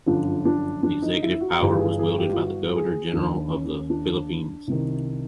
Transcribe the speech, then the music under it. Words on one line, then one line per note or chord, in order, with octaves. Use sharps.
The Executive power was wielded by the Governor-General of the Philippines.
G1 F#2 D3 F3 D4
D4
D4
D#4
E4
F#4
G1 G2 E3 G4
G#4
G#4
G4
F4
F#4
G#4
D#2 D#3 D4
C#4
D4
C2 C3 D#3